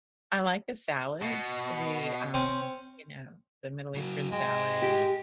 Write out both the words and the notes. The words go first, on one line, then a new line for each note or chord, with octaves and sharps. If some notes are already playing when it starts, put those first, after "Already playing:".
I like the salads, the, um, you know, the Middle Eastern salads,
B2
C4 C#4
C#3 F#3
G#2 G#3 G5
G4